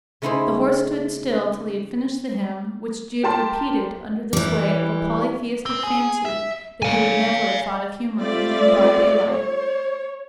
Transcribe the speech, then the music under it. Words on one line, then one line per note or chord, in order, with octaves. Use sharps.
The horse stood still till he had finished the hymn, which Jude repeated under the sway of a polytheistic fancy that he would never have thought of humouring in broad daylight.
C#3 A3 D#4 E4 G#4 C5
G4 A#4 A5 C6
E3 G3
C4
G#4
E5
F5 G#5
G3 A3 C4 F4 D5 E5
C#5